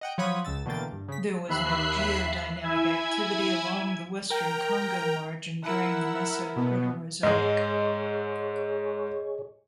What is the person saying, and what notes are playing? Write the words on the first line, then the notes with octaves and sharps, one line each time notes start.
There was no geodynamic activity along the western Congo margin during the Mesoproterozoic.
D#5 F#5 G5
F3 F#3 C#5 F#5 B5 D#6
C#2 C#3 E6 A6
B2 D3 E3 A#3 G5 A6
G2
C#3 B6
D#2 E5 B5 F#6 C7
E4 E5 G#5 G#6
A#4 G5 A#5
E4 A#4 F#5 E6
B2 B3
G#2 G#3 G#4 C#5 D#5